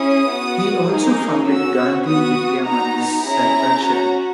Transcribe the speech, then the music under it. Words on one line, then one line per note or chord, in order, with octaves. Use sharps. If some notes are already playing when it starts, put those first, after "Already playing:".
He also founded Gandhi Vidya Mandir Sardarshahar.
Already playing: C#4 E4 G#4 D#6
B3 F#4
A#3 D#4 G#4
C#4 F#4 E6
B3 F#4 D#6
B3 D#4 F#4 A#5
C#4 E4 G#4 A#5
C#4 F#4